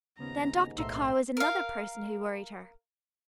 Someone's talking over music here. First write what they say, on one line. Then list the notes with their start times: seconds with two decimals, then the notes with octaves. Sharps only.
Then Dr. Carr was another person who worried her.
0.19 D#2 G#2 C#3 B3 C#4 A#5
0.78 B1 A2 E5 A#5 C6 E6
1.37 A#4 F5